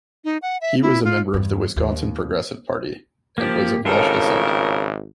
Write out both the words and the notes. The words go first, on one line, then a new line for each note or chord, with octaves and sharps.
He was a member of the Wisconsin Progressive Party, and was of Welsh descent.
D#4
F#5
E5
E4
F4
E2 G2
D#2
F3 A#3 G4
G#1 A2 C#3 F4 A4 A#4 C#5